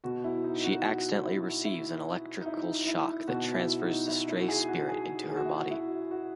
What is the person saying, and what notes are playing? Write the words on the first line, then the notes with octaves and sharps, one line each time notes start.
She accidentally receives an electrical shock that transfers the stray spirit into her body.
B2 F#4
E4
D#4
F#4
F#4
E4
E4
D#4
E4
E4
B2 F#4
E4
D#4
E4
E4
F#4
G#4
F#4
G#4
G#4
F#4
E4
F#4
E4
F#4